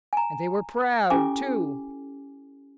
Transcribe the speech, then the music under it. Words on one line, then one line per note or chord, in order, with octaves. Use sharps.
And they were proud, too.
G#5 A#5
C#4 E4 G4 A4 G#5 D6